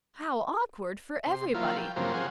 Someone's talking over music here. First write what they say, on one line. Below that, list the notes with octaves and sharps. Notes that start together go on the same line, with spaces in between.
How awkward for everybody!
C3 C6
F3 F#3 A#3 E4 F4
G5
G2 C#3 F3 F#3 A#3 C4
C4 F4 F#4 G#4